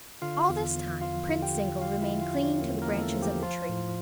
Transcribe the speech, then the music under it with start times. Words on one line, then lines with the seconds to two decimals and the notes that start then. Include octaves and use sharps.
All this time Prince Zingle remained clinging to the branches of the tree.
0.22 D3 F4 F5
0.49 E2
0.75 E2
1.01 F3 F4 F5
1.29 D3
1.42 G4 G5
1.55 E2
1.82 E2 F4 F5
2.02 E4 E5
2.08 F3
2.21 F4 F5
2.36 D3
2.42 C#4 C#5
2.61 E2 A#3 A#4
2.82 A#3 A#4
2.88 E2
3.02 A3 A4
3.16 F3
3.22 G4
3.42 F3 F4
3.69 A2